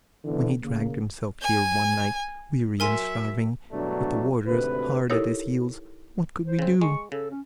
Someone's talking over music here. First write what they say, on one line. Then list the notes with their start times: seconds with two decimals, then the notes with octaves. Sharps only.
When he dragged himself here one night, weary and starving, with the warders hard at his heels, what could we do?
0.25 B2 D3 E3
0.63 C#3 A#3
1.42 G#5
2.80 F#3 A#4 E5 G#5 C6
3.71 E2 G2 B2 F#3 A3 D4
4.46 G#1 D2 C3 B4
5.10 D#4 E4 G4 A4 A#4 C#5
6.45 C5
6.59 C#3 C4
6.81 G#3 C#6
7.12 C#3 A4
7.30 C#4